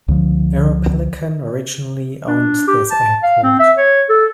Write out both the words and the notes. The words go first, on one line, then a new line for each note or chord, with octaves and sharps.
Aeropelican originally owned this airport.
C#2 D3 F3
D4
G4
A5
F5
C4
E5
C#5
A4